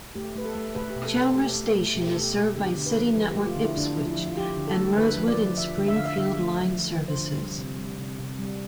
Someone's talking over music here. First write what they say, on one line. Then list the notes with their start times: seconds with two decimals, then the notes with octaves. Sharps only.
Chelmer station is served by City network Ipswich and Rosewood and Springfield line services.
0.15 A3 G4
0.35 A3 B4
0.45 A4
0.55 A3
0.75 A3 B4
0.90 G4
0.96 B2
1.05 A4
1.15 B2
1.21 A4
1.36 A3 G4
1.56 A3
1.76 A3
1.96 B2 G4
2.07 A4
2.17 A3 G4
2.36 B2
2.56 D3 G4
2.76 D3
2.86 B4
2.96 F3
3.16 F3 B4
3.32 A3 G4
3.46 F4
3.56 D3
3.62 E4
3.77 D3 D4
3.97 F3
4.07 E4
4.18 F3
4.28 F4
4.37 F3 G4
4.57 D3
4.68 A4
4.78 A3
4.97 D3 B4
5.18 F3
5.28 D5
5.37 F3
5.57 F3 E5
5.77 D3
5.88 E5
5.96 D3 F5
6.05 E5
6.18 D3 E5
6.38 A3
6.59 F3
6.79 F3
6.99 F3
7.08 C5
7.18 D3
7.38 G3
7.58 C3
7.79 G3
7.98 C3
8.19 C3
8.39 G3